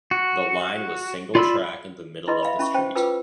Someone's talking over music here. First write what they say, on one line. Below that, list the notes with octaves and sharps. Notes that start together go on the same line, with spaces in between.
The line was single-track in the middle of the street.
F#4
F4 D5 B5 C6 E6
E4 B4 D#5 B5 C6 D6
E5 F5 B5
C#4 E4 B5 C#6
C#4 C5 G5
F4 B4 G5 D6 E6